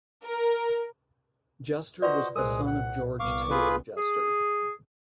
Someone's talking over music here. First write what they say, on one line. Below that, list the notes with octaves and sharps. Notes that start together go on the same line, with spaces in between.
Jester was the son of George Taylor Jester.
A#4
F4 F#4 B4 C5 D5 D#5
C2 A#2 G#3 A#4 C5 D#6
F#5
C2 B3 F5 C#6 D6
F4 G#4 B4
G#4